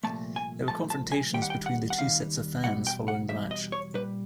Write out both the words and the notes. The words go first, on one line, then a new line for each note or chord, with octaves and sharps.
There were confrontations between the two sets of fans following the match.
C2 A#2 F3 A3 A5
G#5
C2 A#2 F3 A3 A5
A5
G#5
D#2 D#3 G3 G5
F#5
G5
F#5
F#5
D#2 D#3 G3 F5
E2 B2 G3 F#5
G5
F#5
E2 B2 G3 E5
D#5
C#5
A#2 G3 B4